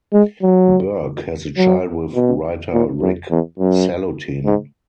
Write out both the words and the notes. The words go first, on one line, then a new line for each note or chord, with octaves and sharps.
Burke has a child with writer Rick Salutin.
G#3
F#3
F#3
B2
A#2
F#2
E2
F#2
G#2